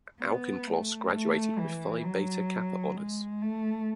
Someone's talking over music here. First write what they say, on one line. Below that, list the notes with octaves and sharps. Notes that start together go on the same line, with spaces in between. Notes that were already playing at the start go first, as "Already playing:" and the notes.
Auchincloss graduated with Phi Beta Kappa honors.
B3
A3
A3
E3
F#3
G#3
A3